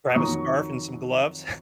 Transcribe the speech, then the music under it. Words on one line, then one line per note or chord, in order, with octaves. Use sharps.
Grab a scarf and some gloves.
D#6
F2 D#3 F#3 A#5 C#6